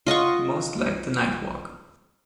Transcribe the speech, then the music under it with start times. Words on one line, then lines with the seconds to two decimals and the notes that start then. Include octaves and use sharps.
He most liked the night walk.
0.07 F4 D#5 F#5 C#6